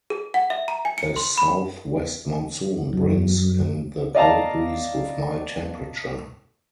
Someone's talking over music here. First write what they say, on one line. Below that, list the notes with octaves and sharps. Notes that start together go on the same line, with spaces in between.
The South West Monsoon brings in the cold breeze with mild temperature.
G#4
F#5
E5
A#5
G#5
C#7
C6
B5
F#2
D5 D#5 F5 A5 A#5